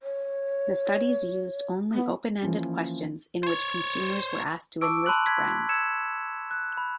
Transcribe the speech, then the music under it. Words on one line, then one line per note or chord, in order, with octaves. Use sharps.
The studies used only open-ended questions in which consumers were asked to enlist brands.
C#5
B3
E3 F3 A#3 C#4
C5 C#5
A5 C#6 D6 E6 D7
A5 B5 C6 E6 F#6 F#7
G#6 B6
E6 G#6 C#7 E7
F#6
B5